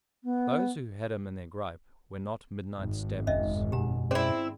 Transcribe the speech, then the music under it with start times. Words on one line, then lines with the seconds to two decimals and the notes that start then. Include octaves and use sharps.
Those who had him in their gripe were not midnight stabbers.
0.23 B3
2.77 G#1
3.27 F1 G#2 C#4 D#5 E5
3.72 F#2 B2 G#3 G4 A#5
4.11 C4 C#4 E4 G#4 D5